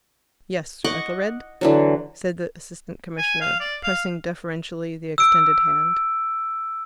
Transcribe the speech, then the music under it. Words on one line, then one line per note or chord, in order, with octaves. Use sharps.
"Yes, Sir Ethelred," said the Assistant Commissioner, pressing deferentially the extended hand.
D#5 F#5 C#6 D6
D3 E3 F#3
G#5
F5
D5
F5
E6 D7